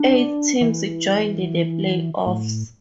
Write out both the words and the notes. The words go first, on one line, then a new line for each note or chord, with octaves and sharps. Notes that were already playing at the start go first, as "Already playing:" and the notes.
Eight teams joined the playoffs.
Already playing: D4
E3
A2